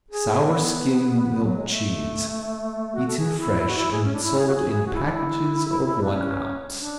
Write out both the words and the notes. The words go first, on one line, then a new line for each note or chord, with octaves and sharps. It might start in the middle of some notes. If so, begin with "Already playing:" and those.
Sour skim milk cheese, eaten fresh and sold in packages of one ounce.
G#4
B3
F#3
G#3
A3
F#4
A4
G#4
E4
E4
F#4
E4
G#4
C#4
D4
E4
G#4
F#4
G#4
G#4
F#4
E4
D4
E4
E4
D4
C#4
D4